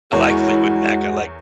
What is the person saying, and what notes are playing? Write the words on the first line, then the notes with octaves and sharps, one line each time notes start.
I like Fleetwood Mac, I like
E2 G#3 E4 F#4 A#4 C#5